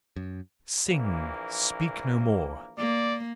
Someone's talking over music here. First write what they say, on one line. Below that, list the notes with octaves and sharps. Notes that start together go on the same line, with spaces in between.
Sing! speak no more!
F#2
A#1 E3 A#3
A#3 D5